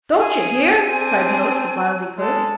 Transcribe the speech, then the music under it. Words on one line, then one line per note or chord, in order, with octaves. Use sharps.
'Don't you hear?' cried the host as loud as he could.
G#4 G#5
C4 D4
G#3 A4